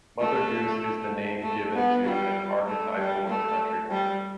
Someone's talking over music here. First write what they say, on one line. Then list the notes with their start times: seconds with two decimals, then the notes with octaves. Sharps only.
Mother Goose is the name given to an archetypal country woman.
0.20 A3
1.42 A3
1.74 B3
2.04 G3
2.66 A3
2.97 G3
3.27 A3
3.90 G3